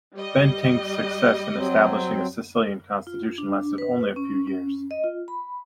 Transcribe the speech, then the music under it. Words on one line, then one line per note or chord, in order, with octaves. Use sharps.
Bentinck's success in establishing a Sicilian constitution lasted only a few years.
G3 D#5
F#3 C4
F4
D4
B4
C#4
C#4
D#5
F4
B5